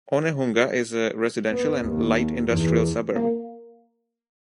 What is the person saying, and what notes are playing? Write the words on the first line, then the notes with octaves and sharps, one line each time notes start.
Onehunga is a residential and light-industrial suburb.
B3
D#2
E2
A#3